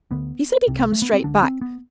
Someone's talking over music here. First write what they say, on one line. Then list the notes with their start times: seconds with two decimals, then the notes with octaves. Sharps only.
He said he'd come straight back.
0.11 D2 D3 B3
0.67 C2 C3
0.92 A3
1.02 B3
1.13 C4
1.24 D2 D3 D4
1.42 C4
1.61 B3